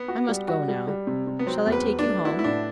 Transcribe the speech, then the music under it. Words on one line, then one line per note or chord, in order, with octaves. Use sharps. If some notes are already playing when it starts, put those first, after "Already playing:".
"I must go now. Shall I take you home?"
Already playing: B3
F#4
G3
F#4
G3
G3
C3
C3
B3
F#3 C4
E2
B4
F#3
D4
A3
E4 F#4
E4
A2 D4